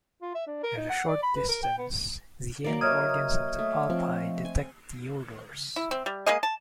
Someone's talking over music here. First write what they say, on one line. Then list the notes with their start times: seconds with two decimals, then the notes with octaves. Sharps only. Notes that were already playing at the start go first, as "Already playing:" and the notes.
At a short distance, the end organs of the palpi detect the odors.
0.22 F4
0.35 E5
0.47 D4
0.63 A#4
0.77 D#4
0.90 F#5
1.08 D5
1.23 B5
1.36 B4
1.49 A#4
1.63 G5
1.78 B3
2.64 F#3 A#3 D5
2.81 C#5 D#5 E5 C#6 D#6 F6 G#6
3.59 A3
3.90 F3 C4
4.45 G#5
5.76 E4
5.91 C4
6.06 G3
6.26 G#3 A#3 G#4 D#5
6.43 A5